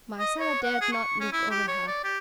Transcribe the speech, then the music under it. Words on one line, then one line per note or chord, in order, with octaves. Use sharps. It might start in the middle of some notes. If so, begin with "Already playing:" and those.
Marcella dared not look over her.
D#5
C#5
F#5
G#4
C#6
C#4
E4
G4
C#5
D5
G4